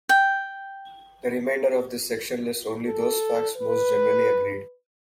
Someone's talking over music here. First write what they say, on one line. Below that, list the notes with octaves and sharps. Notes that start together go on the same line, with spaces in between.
The remainder of this section lists only those facts most generally agreed.
G5
A4
B4